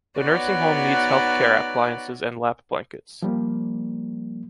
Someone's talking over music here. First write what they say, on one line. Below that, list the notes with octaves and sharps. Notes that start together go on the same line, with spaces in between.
The nursing home needs health care appliances and lap blankets.
B3 D#4 F#4 B4 C#5 D5
F3 G3 A#3